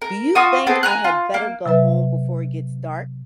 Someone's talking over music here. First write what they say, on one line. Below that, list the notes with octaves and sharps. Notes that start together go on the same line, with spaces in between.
Do you think I had better go home before it gets dark?
A#4
F4 F#4 D#6
B3 C4 G#4 A4
G#5 A#5 F#6
F4
A#3
C3 F#3 B4 E5